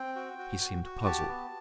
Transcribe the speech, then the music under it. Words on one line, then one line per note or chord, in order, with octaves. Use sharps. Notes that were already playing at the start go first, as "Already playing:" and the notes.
He seemed puzzled.
Already playing: C4 G5
F#4
F#4
F#4
F#4
G4 A5
B3